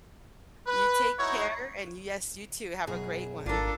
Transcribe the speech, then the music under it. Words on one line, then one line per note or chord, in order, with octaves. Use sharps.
You take care, and Yes, you too, have a great one.
B4
D#4 E4 F#4 C#5
F#2 B2 G#4
G#1 D4 F4 A4 A#4